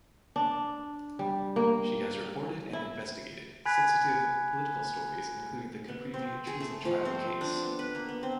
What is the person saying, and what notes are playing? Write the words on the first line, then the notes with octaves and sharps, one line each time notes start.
She has reported and investigated sensitive political stories including the Caprivi treason trial case.
D4
G3
A#3
E4
G#5 B5 F#6 G#6 B6
B3
C4
G#4
A3
F3
C4
D4
B3
B4
A#3
B3
C4